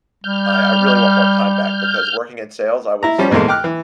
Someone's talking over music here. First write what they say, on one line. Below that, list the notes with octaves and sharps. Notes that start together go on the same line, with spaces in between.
I I really want more time back because working in sales, I was like,
G3 F6 G6
E4 A#5
F3 G3 C#4
A#1 E2 G#2 G#3 A#3 A4
G5 D6 F6 F#6
E3